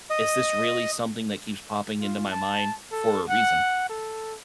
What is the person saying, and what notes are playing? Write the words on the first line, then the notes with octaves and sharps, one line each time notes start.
is this really something that keeps popping into my mind for a reason?"
D#5
F4
A5
A4
F#5
A4